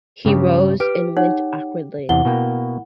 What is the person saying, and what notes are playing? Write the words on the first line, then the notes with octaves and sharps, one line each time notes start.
He rose and went awkwardly.
G2 C#3 G4
G4 B4 G5 F6 D7
D#4 C#5 F#5
E2 C3 E4 F#5 G7
B2 A#3 G5